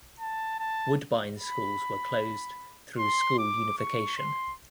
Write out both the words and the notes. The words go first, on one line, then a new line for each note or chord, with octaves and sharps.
Woodbine schools were closed through school unification.
A5
A5
B5
C6
D6
C#6
C6